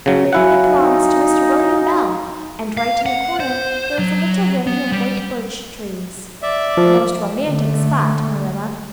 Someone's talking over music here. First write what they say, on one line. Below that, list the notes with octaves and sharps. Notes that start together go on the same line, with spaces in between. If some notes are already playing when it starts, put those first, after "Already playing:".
It belongs to Mr. William Bell, and right in the corner there is a little ring of white birch trees--the most romantic spot, Marilla.
C#3 F#3
F#3 E4 F#4 F5 F#5 G#5
D#4
F5
F#5
C5
F#3
B3
G3
D5 E5
F3
D3 A3